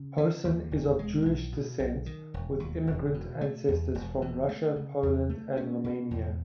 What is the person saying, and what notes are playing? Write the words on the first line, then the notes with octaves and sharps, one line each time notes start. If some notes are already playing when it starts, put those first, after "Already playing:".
Posen is of Jewish descent, with immigrant ancestors from Russia, Poland, and Romania.
Already playing: C#3
E3
D#2
E1
G#3
B1
B2
B1
D#3
E1
D#2
E1
B2
A3
E2
E1
E3
A3
C#3
E2
A3
C#4
B2
E2